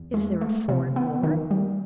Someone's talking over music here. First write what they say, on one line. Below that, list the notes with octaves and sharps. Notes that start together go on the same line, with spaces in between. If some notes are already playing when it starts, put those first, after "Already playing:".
Is there a foreign war?
Already playing: E2
G#3
A3
C3
B3
D#3
G3